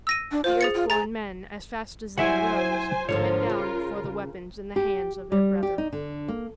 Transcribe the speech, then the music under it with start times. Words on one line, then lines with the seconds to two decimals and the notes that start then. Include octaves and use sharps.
The Earth-born Men, as fast as they arose, went down before the weapons in the hands of their brethren.
0.07 E6 A#6 D#7
0.31 D4
0.44 F4 C5
0.61 G#4 A6 C#7
0.75 F4
0.90 G#4 A#5 A6
2.18 F#3 E4 C5 E5 F#5 G#5
3.09 G#2 D3 F3 F4 A#4 C#5
3.50 C#3
4.76 G4
5.32 G3
5.63 G4
5.78 D#4
5.93 D3
6.28 A#3